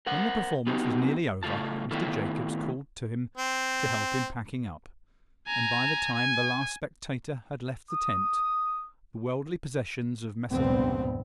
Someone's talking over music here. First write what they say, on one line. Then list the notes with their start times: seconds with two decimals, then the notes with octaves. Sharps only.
When the performance was nearly over Mr. Jacobs called to him to help in packing up; and by the time the last spectator had left the tent the worldly possessions of Messrs.
0.06 A#4 C5 F#5
0.67 B3 C4 D#4 F#4 G4
1.43 A2 C#3 A3 F4 A5
1.91 A2 D#3 B3 E4 F4 A4
3.37 C4
5.48 G#5 A#5
6.16 G#5
7.92 D#6
10.50 F1 C#2 G2 A#2 B3 C4